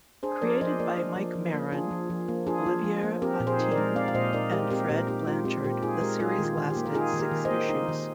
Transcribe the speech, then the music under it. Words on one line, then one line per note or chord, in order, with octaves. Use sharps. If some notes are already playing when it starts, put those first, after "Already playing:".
Created by Mike Baron, Olivier Vatine, and Fred Blanchard, the series lasted six issues.
D4 G#4 C5
F3 A#4 D5
F3 C5 D#5
A#3 A#4 D5
D4
F3
F3
A#3
D4 F4 G#4
F3
F3
A#3
D4 F4 G#4
F3
F3
A#3
C4 G4 A#4
A#2
G#4 C5
D#4
A#4 D5
G#3
C4 D5 F5
F5
A#2 C5 D#5
D#4 A#4 D5
G#3 G4 A#4
C4 G4 A#4
A#2 G4 A#4
D#4 G4
G#3 F4
C4 G4
A#2 G4 A#4
D#4 F4 G#4
G#3 G4 A#4
D#4 F4 G#4
D#3
F4
D#3
G4
A#3
A#4
D#4 F4 G#4
D#3
G4 A#4
D#3
C5 D#5
A#3
D#4
D#3